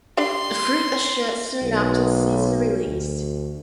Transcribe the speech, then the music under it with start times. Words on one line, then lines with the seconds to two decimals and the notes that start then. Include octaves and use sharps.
The fruit are shed soon after the seeds are released.
0.17 D4 G4 D5 C6
1.63 B1
2.86 D2